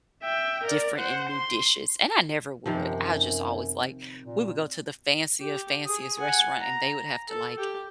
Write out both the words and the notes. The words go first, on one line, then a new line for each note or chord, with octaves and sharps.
different and new dishes, and I never would. I just always, like we would go to the fanciest, fanciest restaurant, and they would have to, like,
E5 G5
A#4 D5
C5 F#5
C6
F#2 C3 D#3 F3
A#2
G4
G#4 D#6
F#5 G#5
A#5
A4
G4 G5